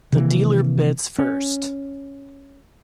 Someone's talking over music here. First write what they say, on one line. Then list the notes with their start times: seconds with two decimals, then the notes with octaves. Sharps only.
The dealer bids first.
0.13 C3 D#3 E3 A#3
1.19 C#4